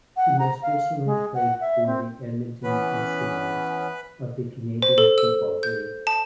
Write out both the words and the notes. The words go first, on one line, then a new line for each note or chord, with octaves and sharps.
He most recently played for the Edmonton Eskimos of the Canadian Football League.
F#5
A#5
F5
G#3
F#5
E5
C4
E3 B3 C#4 B4
C5
A4
E6
G6
A5